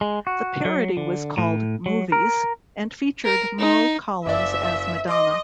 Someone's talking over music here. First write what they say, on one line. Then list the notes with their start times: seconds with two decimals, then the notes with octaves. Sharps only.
The parody was called "Movies", and featured Mo Collins as Madonna.
0.01 G#3
0.27 F#4
0.65 F#3
0.97 D3
1.38 A2
1.86 F#3
2.12 A#4
3.25 A#4
3.59 D#4
4.25 F#1 D5 E5
5.07 D#5 C6 D6